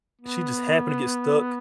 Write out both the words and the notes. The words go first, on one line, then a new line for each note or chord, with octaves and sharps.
She just happened to get stuck
B3